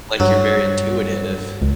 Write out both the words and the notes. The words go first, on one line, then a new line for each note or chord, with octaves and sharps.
like you're very intuitive
G2 F#3
C#2